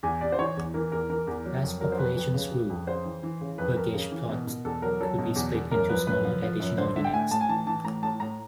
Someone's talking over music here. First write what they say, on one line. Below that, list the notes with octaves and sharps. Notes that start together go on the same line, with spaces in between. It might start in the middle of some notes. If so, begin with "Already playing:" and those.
As populations grew, "burgage plots" could be split into smaller additional units.
E2 G#5
C3 D5
C5
E3 C#5
E2
E3 A#4
E2 A#4
E3 A#4
E2
F#3
F2
F#3 A#4
C5
F2 B4
F2 B4
C#3
C#3
F2
C#3 C5
E3
E3
C#3
F2 B4
F2 A#4
C#3
E3
B2
B2
E2 A4
F#3 A#4
F#3 A4
B2
E2
E2
F#2 A#4
F3 B4
F#2 B4
F3
F3
F#2
D3 C5
D3 E5
G5
A2 G#5
A2 A5
G#5
E3 A5
E3 A5
A2 A#5
A2 A5
A2 A#5